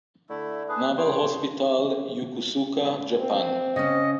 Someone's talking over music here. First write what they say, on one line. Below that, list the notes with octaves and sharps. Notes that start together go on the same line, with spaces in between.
Naval Hospital, Yokosuka, Japan.
D3 A3 E4
D4 G#4 B4
G3 C#5 G5 C6
C4
C#3 C#4 D#5